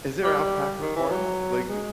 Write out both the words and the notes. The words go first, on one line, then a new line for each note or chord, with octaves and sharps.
Is there a alpaca farm, like, uh,
G3
D#3
E3
F#3
G#3